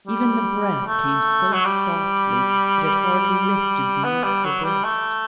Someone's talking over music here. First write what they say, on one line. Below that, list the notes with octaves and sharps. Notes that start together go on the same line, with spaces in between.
Even the breath came so softly that it hardly lifted the youthful breast.
G3
A3
F#3
G3
B3
G3
F#3
G3
A3